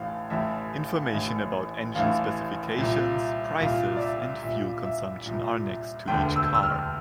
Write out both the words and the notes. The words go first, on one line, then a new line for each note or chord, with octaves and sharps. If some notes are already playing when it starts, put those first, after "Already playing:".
Information about engine specifications, prices and fuel consumption are next to each car.
Already playing: A1 A2 E3 F5
A1 A2 E3 E5
A1 A2 E3
A1 A2 E3 F5
C2 A#2
C2 A#2 F5
D5
E5
C2 A#2 E5
E5
C2 A#2
E1 D2 D3 G5
E6
E6
F6